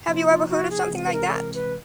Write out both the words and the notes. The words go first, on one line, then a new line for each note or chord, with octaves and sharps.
Have you ever heard of something like that?
C3 F3 A#3 D#4 F4
F4
F#4
G#4
C3 E3 G#3 C4
B4
A#4
A4
A#4
B4